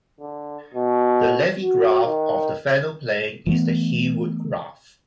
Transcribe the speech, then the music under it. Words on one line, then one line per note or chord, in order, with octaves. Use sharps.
The Levi graph of the Fano plane is the Heawood graph.
D3
B2
F#4
D#3
E3 A3 B3